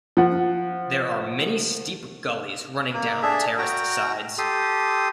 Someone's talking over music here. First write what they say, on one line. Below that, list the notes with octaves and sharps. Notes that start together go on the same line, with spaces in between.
There are many steep gullies running down the terraced sides.
F3 F#5
A#3
D4 G#4 A4 E5
F#4 G5 A#5
G4 A4 C6 D#6